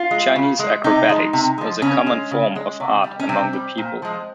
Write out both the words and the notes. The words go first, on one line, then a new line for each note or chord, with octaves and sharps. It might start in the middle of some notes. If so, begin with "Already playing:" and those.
Chinese acrobatics is a common form of art among the people.
Already playing: F4
G#3
C#3
G#3
C3 D#4
F3 G#3
C3
F3 G#3
C#3 C#4
G#3
C#3
G#3
C3
G3
C#4
C3 C4
G3
A#2
F3 G#3